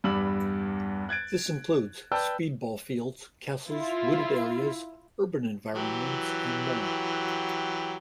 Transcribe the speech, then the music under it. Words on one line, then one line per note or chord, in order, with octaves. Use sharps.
This includes speed ball fields, castles, wooded areas, urban environments, and more.
E2 G2 G3 B5 E6 F#7
F#6 G#6 A6 D7
B4 D5 G5 A5 E6 G6
E4 F4
E3 F#3 G4